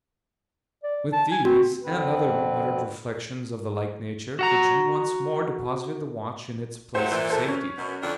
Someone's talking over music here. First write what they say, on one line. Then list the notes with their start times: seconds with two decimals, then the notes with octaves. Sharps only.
With these, and other muttered reflections of the like nature, the Jew once more deposited the watch in its place of safety.
0.83 D5
1.13 A5
1.31 G#5
1.45 C4 F#4
1.83 F2 D3 C4 B4
4.39 F#4 F#5 A#5
6.95 C3 F#3 A3 C5
7.11 A#2 E3
7.30 A4 C5
7.48 C#4
7.78 F#2 B2
8.03 F2 D3 D4